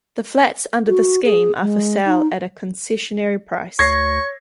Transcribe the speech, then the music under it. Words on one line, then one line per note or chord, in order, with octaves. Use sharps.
The flats under the scheme are for sale at a concessionary price.
F#4
G#4
G#3
D#4
D2 C#5 C#6 G#6 A#6 C7